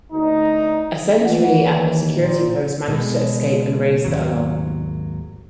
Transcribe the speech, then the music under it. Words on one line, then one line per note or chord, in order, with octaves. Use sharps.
A sentry at a security post managed to escape and raise the alarm.
D2 D#4
E3 A3 F4 F#5
D#2
A#2
B2 G#3
G#1 D#2 F#3